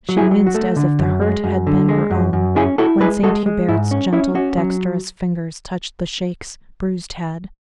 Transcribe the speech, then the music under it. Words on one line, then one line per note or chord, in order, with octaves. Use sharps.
She winced as if the hurt had been her own when Saint Hubert's gentle, dexterous fingers touched the Sheik's bruised head.
F#3
E4 G#4
F#3
F#4
A3
D3
F#2
G#3
F#2
D3
G#3
F#2
F#2
C#4 E4 G#4
E4 F#4 A4
G#3 G#4 B4
G#3 F#4 A4
G#3
G#2 E4
C#4
C#4 E4
C#4 F#4
F#3